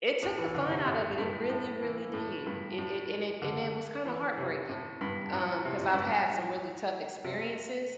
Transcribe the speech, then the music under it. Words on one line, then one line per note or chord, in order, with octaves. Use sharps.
it took the fun out of it, it really, really did. It it and it and it was kinda heartbreaking, um, 'cause I've had some really tough experiences
A2
E3
D3
C3
A2
A2
G2
A2
E3
E3
A2
G2
A2
D3
E3
C3
A2
G2
A2
C3
A2
G2
A2
C3